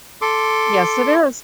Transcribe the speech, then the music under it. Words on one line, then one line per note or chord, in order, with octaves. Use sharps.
Yes, it is.
A4 C6 D6